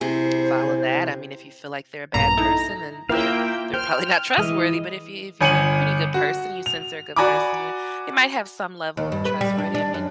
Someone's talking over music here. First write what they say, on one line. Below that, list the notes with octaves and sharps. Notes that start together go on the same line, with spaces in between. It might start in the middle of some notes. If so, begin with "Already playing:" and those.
follow that I mean, if you feel like they're a bad person, then they're they're probably not trustworthy, but if you if you're a pretty good person, you sense they're a good person, then they might have some level of trustworthy I mean
C3 E4 G#4 C5
A#1 G2 B2 A#5
D#4 E4 A4
A#3 E4 F4 E5 F5 G5
C5 G5 F6
E3 G#3 E4 D#5
G1 G#5 C#7 D#7 F#7
F#4
F7
F#4 D5 G#5 A#5 B5 D6
D#2
G2
B4
G3
D4
D4
F#2